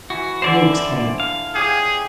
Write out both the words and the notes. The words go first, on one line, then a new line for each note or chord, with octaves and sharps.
Mewks came.
E3 F#4
D3 E3 C5 D5 E5
F5
G4 G#4 C#5